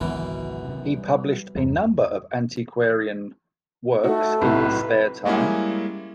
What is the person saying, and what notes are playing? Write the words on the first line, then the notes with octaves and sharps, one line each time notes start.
He published a number of antiquarian works in his spare time.
G#1 C#2 F#2 B2 E3
C3 D#3 B3
G3
E2 G2 G#3
A3 D#4 F#4
B1 A2 C3 B4
G3 G#3 A#3 C#4 E4